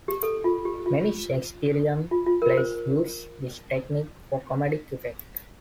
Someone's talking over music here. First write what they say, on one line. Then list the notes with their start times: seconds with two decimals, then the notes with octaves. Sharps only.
Many Shakespearian plays use this technique for comedic effect.
0.08 G4
0.23 A4
0.44 F4
0.65 G4
0.86 F4
2.11 F4
2.26 F4
2.42 A#4
2.57 C5